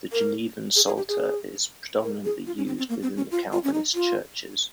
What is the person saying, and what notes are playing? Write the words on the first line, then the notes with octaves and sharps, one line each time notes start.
The Genevan Psalter is predominantly used within the Calvinist churches.
A#4
G#4
G#4
G4
G#4
A#4
G#4
F4
C#4
C4
C4
A#3
C4
C#4
F4
F4
C#4
D#4
F4